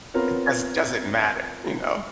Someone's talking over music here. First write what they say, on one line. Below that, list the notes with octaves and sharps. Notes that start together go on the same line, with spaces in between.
It does doesn't matter, you know?
B3 C4 F4 A#4 C#5